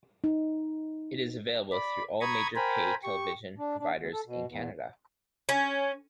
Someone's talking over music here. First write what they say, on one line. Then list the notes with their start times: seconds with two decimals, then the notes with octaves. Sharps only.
It is available through all major pay television providers in Canada.
0.24 D#4
1.72 D5 B5
2.21 A#5 B5 C#6 D#6 G#6
2.56 A#4 C5 G5 G#5 A#5 B5
3.03 G4 C#6
3.58 D4
3.78 D4
3.95 D2
4.13 A4
4.26 B2
4.47 E2
5.49 C#4